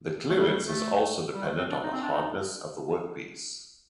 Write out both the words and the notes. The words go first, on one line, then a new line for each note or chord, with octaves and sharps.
The clearance is also dependent on the hardness of the workpiece.
A3
G3
G3
A3
G3
A3
C4
D4
D#4
C4
D4
D#4